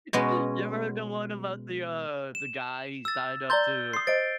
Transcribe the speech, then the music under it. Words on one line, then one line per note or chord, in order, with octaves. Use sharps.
you ever heard the one about the, uh, the guy he's tied up to
B2 G#3 B3 C#4
E7
E6 A6
D5 A#5 C6 G6 A6 G7
C6 D#6 C7
C5 D#5 A6 D7